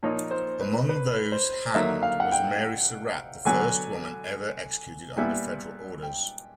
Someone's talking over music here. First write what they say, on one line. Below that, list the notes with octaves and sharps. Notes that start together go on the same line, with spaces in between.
Among those hanged was Mary Surratt, the first woman ever executed under federal orders.
A#2 F3 A#3 D#4 C#5
C5
B4
B4
C5
D3 F#3 A#3 D#4 E5
F5
F#5
G5
D3 F#3 B3 G#5
A#2 G3 B3 E4 G#5
G5